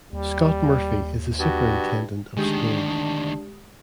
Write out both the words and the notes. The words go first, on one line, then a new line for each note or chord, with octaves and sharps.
Scott Murphy is the Superintendent of Schools.
D#2 G3
G2 F#4
D2 D#3 G#3 D4 G4 D#6